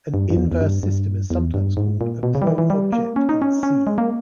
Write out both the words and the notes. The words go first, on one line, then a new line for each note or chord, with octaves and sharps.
An inverse system is sometimes called a "pro-object" in "C".
G2
G2
E2
E2
G2
G2
E2
G2
G#2
A#2
B2
C#3
G3
E3
E3
G3
A#3
C#4
D#4
C#4
C#4
G#3
A#3